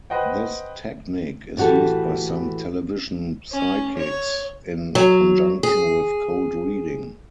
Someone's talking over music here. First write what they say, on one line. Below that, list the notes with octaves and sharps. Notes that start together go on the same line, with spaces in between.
This technique is used by some television psychics in conjunction with cold reading.
B4 C5 D#5 F#5 G5
A2 E3 F#4 G4 A4
C#4
C#5
F#3
G#4